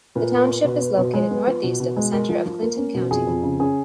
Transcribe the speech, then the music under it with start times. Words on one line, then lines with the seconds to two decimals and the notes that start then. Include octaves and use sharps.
The township is located northeast of the center of Clinton County.
0.15 A#2 B4
0.32 B3
0.48 B3
0.64 B2 B4
0.81 B3
0.97 B2
1.14 G#3
1.31 B3
1.47 F3
1.63 B2
1.80 B2
1.96 G#3
2.12 G#3 A#4
2.29 F3
2.46 F3
2.62 A#3
2.78 C#4
2.94 B2
3.11 F2 G#4
3.27 F2
3.43 C#3
3.60 C#4 G#4